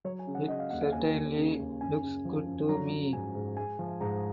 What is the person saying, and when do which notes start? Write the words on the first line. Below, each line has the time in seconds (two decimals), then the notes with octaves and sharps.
It certainly looks good to me.
0.05 F#3 C#5
0.19 G#5
0.27 C#3
0.35 F#5
0.48 C#3 D#5
0.59 F5
0.70 D#2 F#5
0.81 F5
0.92 D#2 G#5
1.14 D#2
1.36 C#3
1.59 D#2
1.81 F#2 G#5
2.02 C#3
2.25 F3
2.47 F#2
2.69 F#3 A#5
2.90 F#3
3.12 G#2 G#5
3.35 G#2
3.57 G#3 G#5
3.79 F3
4.01 G#2 A#5